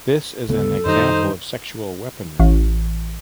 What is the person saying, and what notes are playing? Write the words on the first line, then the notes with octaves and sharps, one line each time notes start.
This is an example of sexual weaponry.
D2 C#3 B3 A4
F#2 D#3 G3 D#4 C5
A1